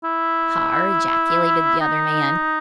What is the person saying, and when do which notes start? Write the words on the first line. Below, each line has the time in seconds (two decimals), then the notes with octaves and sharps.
"Har!" ejaculated the other man.
0.04 E4
1.81 D#4